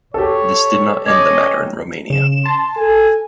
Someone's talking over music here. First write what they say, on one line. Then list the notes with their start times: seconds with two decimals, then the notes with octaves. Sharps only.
This did not end the matter in Romania.
0.14 G4 A4 C#5
1.06 C#4 C#5 D#5 D6 G#6
2.10 C#3 E7
2.46 A5 C6
2.77 A4 G#5